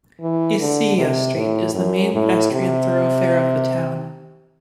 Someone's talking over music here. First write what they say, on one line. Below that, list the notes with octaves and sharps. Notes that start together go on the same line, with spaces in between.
Isilla street is the main pedestrian thoroughfare of the town.
E3
D3
C3
A2
F#2
A2
C3